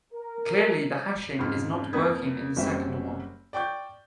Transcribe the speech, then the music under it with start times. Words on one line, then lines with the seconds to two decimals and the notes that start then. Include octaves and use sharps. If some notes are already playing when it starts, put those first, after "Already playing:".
Clearly the hashing is not working in the second one.
0.13 A#4
1.39 F2 G#2 C#3 C6 F6
1.93 F2 A#3 B4 D#6 G#6 B6
2.56 F#1 F#3 G3 C4 C#4 E5
3.53 D5 G5 C#6 G6